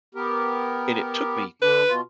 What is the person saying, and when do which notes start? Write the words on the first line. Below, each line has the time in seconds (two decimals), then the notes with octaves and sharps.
And it took me
0.15 B3 G4 A#4
1.62 D3 D4 B4
1.88 B2 F4